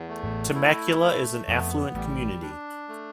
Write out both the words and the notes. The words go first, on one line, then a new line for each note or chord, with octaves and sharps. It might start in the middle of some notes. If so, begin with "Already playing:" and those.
Temecula is an affluent community.
Already playing: E2
A3
A1 A2
E4
A3
F2 B3
A1 A2 G3
D4
A3